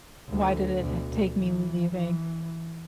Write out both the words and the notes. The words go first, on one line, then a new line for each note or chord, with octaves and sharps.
why did it t take me leaving
D2 D3
D2 B2
E3
E3